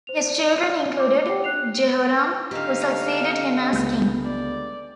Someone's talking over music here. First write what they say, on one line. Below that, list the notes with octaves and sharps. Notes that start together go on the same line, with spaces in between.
His children included Jehoram, who succeeded him as king.
C5 F7
D5
D6
G4 F#5 G5 C7
D4 F#6 C7 F7
D3 D#4 G4 F5
C#2 B3 G6
D5